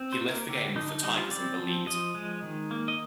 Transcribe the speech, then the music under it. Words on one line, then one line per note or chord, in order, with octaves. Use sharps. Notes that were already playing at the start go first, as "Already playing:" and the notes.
He left the game with the Tigers in the lead.
Already playing: C4
C5
A#3 A#4
D3 G4
D3 D#4
D#4
G3 D#4
F4
C4 D5
F3
F3 D#5
G#3
D#3
A#3
D#5